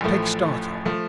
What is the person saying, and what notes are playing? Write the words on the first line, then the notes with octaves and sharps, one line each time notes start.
Take Startop.
A1 A2 F3 A3
F3 A3